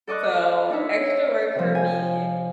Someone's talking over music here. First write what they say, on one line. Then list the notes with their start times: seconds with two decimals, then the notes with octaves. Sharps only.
So, extra work for me,
0.07 A4 D5 D#5 C#6 F#6
0.70 D4 D#4 C#5 E5
1.55 C3 F3
1.75 G#5